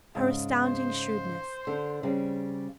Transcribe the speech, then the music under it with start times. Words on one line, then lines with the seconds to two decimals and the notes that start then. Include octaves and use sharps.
Her astounding shrewdness!
0.15 G#2 C#3
0.65 C5
1.67 D3
2.03 C#3 G3 C4